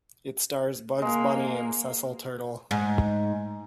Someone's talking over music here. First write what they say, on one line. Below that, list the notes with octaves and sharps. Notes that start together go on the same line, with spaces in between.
It stars Bugs Bunny and Cecil Turtle.
G#3 A#3
G#2